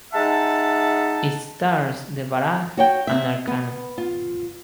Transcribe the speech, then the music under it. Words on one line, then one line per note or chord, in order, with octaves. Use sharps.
It stars Devaraj and Archana.
G#3 D#4 E5 F#5 A5
F#4 C#5 G5
C4 E5
B3
F4